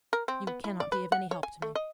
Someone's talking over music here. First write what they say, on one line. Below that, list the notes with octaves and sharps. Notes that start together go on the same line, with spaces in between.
"You cannot be of any help to me."
A#4
C4
B3
E4
D5
B4
F#5
C#5
G#5
A3
D#5